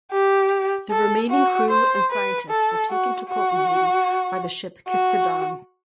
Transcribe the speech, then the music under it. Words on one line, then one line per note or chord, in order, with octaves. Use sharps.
The remaining crew and scientists were taken to Copenhagen by the ship "Kista Dan".
G4
A4
F#4
C5
B4
A4
F#4
F#4
F#4